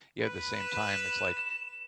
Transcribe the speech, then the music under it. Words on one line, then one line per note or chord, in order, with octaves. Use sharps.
yeah, at the same time, it's like,
B4
E7